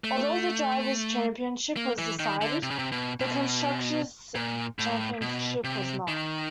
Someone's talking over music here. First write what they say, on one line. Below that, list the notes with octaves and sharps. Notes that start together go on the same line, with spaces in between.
Although the Drivers' Championship was decided, the Constructors' Championship was not.
A3
A#3
E3
D#3
D3
C3
C#3
C3
B2
B2
A#2
A2
B2
C3
D#3